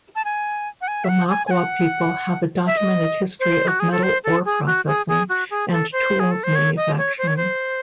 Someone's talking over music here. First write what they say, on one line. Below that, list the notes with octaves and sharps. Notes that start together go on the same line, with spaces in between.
The Makua people have a documented history of metal ore processing and tools manufacturing.
A5
G#5
F#5
G#5
E5
F#5
G#5
G#5
F#5
E5
D#5
C5
F#4
G#4
A4
C5
A4
G#4
F#4
G#4
G#4
F#4
G#4
A4
C5
G#4
A4
C5
C#5
D#5
C#5
C5
C#5
C5